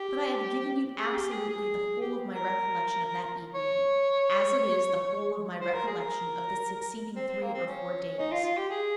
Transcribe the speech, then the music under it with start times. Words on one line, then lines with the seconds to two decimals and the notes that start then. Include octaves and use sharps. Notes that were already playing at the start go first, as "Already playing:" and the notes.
But I have given you absolutely the whole of my recollection of that evening, as it is the whole of my recollection of the succeeding three or four days.
Already playing: G4
0.97 G#4
1.14 G4
1.31 G#4
1.49 G#4
2.00 G4
2.35 A#4
3.54 C#5
5.61 C5
5.74 A#4
5.87 G#4
6.00 A#4
7.16 C4
7.28 C4
7.42 A#3
7.54 C4
7.67 C#4
8.19 D#4
8.31 F4
8.44 F4
8.57 G4
8.70 G#4